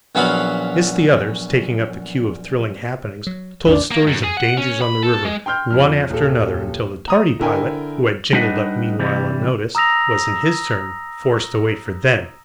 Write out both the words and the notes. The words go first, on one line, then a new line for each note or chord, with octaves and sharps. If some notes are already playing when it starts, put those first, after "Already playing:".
At this the others, taking up the cue of thrilling happenings, told stories of dangers on the river one after another until the tardy pilot, who had jingled up meanwhile unnoticed, was in his turn forced to wait for them.
A#1 F#3 B3 C#4 F5 B5
F#3
A1 E2 C#3 D4
A#3
F#2
G#4
F#5
C#4
B5
A4
G#3
G5 C6 F6 G6
F2 F3 F6
D#1 A4
A#5 D#6
D3 E4 A#4 G5 G#5
G3 D4 D#4 B4 D#5 F#5
C3 E3 G3
A#5 D#6 E6 A#6 F7